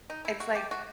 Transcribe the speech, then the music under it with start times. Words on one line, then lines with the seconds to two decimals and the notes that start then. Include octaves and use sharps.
it's like,
0.10 D#4
0.25 E4
0.40 F#4
0.55 G4
0.71 F#4